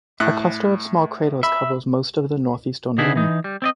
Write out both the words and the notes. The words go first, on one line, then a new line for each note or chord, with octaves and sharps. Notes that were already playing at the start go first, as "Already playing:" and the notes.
A cluster of small craters covers most of the northeastern rim.
A2 F#6
E5 B5
D3 D#4 E4 G#4 B4
E3 D#4
G3
C4 D5 D#5